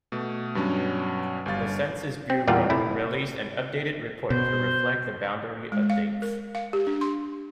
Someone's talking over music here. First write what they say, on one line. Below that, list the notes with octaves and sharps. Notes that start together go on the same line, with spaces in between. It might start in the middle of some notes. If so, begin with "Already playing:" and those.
The census bureau released an updated report to reflect the boundary updates.
B2 A3
G2 B2 F#3 C#4 D4
G1 G3 F5 A6
C4
E2 A#2 G3 F4 F5 F#5
C3 A3 E4
B2 C5
G#3
F5
A#4
F5
G4
D4
C6